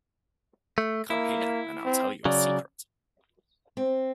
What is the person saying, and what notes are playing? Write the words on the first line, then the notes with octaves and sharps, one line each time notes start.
Come here and I'll tell you a secret.
A3
A#3 E4
C4
C#3 F#3 D5
C4